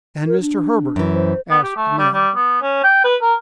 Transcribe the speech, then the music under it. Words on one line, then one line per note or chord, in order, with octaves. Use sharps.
"And Mr. Herbert?" asked Neb.
A#4
D4
F#2 E3
C5
B3
G4
A3
G3
G3
B3
C#4
G5
B4
A#4